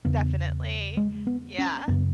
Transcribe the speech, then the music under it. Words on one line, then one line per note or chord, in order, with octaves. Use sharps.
Definitely, yeah.
E2 C#3 B3
G#3
B3
C#4
F#2 C#3 B3